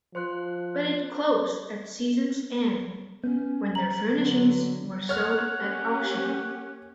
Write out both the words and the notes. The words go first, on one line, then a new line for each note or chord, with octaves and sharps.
But it closed at season's end, when the furnishings were sold at auction.
F3 C5 C6 F#6
B3 C#4
A#5 F#7
D3 F#3
C#5 F#5 F6
A#3 C#4 G4